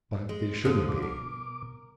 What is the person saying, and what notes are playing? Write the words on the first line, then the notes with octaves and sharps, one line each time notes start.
But it shouldn't be.
G#3
G2 D3 F3 D#6
B2 D6
A#4